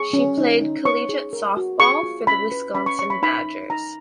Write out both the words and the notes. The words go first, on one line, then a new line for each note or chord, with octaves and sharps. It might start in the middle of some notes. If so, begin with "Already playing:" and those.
She played collegiate softball for the Wisconsin Badgers.
Already playing: G#4 C#6
C#4
D#4
D#4
C#5 C#6
G#4
A#4
F#4
G#4 C#6
F4
C#4 B5
B4
C#4 B5
C#6
C#5 C#6
B5
D#4 B5
D#4
D#4 A#5